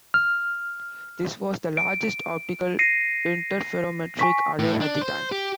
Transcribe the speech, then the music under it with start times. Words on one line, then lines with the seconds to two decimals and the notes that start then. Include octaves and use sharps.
This was the largest optical interferometric array at the time.
0.14 F6
1.77 D7
2.79 A#6 C7 C#7 D#7
4.19 G#5 C#6 B6
4.59 A2
4.81 D4
5.01 C5
5.32 G4